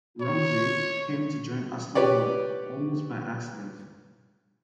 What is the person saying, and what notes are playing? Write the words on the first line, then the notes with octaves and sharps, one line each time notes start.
Ramsay came to join Aston Villa almost by accident.
C#5
G4 B4 C#5 D5